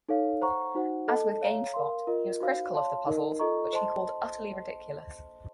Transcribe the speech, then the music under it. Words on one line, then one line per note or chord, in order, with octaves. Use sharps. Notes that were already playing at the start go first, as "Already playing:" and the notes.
As with GameSpot, he was critical of the puzzles, which he called utterly ridiculous.
D#4 A4 C#5 F5
C5 F#5 A#5 C#6
D#4 F#4 C5 F#5
A4 D#5 A5
C#5 F5 A#5
A#4 F5 C6
F4 A#4 D#5
D#4 F#4 C5 F5
C#5 F5 A5 C6
D#4 A#4 D#5
F4 A4 D#5 A#5 C#6
C5 D#5 A5 C6